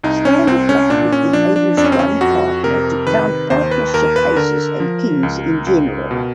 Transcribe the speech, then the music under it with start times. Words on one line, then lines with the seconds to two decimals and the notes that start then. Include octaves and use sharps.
Standard Blackwood enables one partner to count partnership aces and kings in general.
0.04 C2 D#4
0.25 C#4
0.47 C2 C4
0.69 C#4
0.90 A#2 D4
1.12 C#4
1.33 F3 D4
1.56 D4
1.77 F2 D4
1.84 C#4
1.92 C4
1.99 C#4
2.21 F2 F#4
2.63 C3 A#4
3.07 D#3 B4
3.50 D#2 C5
3.71 B4
3.94 D#2 A#4
4.16 B4
4.37 D3 A#4
4.80 F3
5.23 C#2
5.67 C#2
6.11 B2